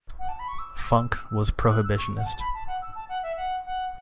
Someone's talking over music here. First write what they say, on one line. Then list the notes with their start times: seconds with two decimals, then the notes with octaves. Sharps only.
Funk was a prohibitionist.
0.18 F#5
0.28 A5
0.39 B5
0.48 C#6
0.58 E6
1.61 E6
1.70 F#6
1.84 E6
1.97 C#6
2.17 F#5
2.25 A5
2.39 B5
2.53 A5
2.67 F#5
2.81 E6
2.95 A5
3.08 F#5
3.22 E5
3.36 F#5
3.65 F#5